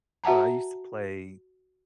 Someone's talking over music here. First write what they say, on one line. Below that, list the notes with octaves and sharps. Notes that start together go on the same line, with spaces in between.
I used to play,
F#4 E5 F#5 A5 A#5